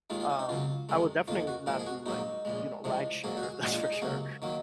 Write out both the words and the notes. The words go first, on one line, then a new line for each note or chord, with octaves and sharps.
um, I would definitely not do, like, you know, rideshare, that's for sure.
D#2 D#3 G#3 F4
F4
C#4
D#4
C#2 C#3 F#3 F4
F2 C3 D#3 G#3
F2 D#3 A#3 F4
F#4
G#2 F3 A#3 A#4
G#4
F#4
A#1 G#2 F#3 A#3 D#4
A#1 A#2 G#3
C2 C3 F3 G#3
G#2 F#3 A#3 G#4
F#4
G#4
A#1 A#2 G#3 F#4
F4
D#4
G#4
C#2 C3 F#3 A#3
D#3 F#3 A#3